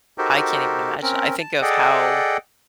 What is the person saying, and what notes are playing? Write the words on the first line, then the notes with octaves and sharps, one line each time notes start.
I can't even imagine I think of how
D#4 F#4 G4 A4 A#4 C5
C4 C#4 A#4
A5
G#4 A4 D5 D#5 F#5 G5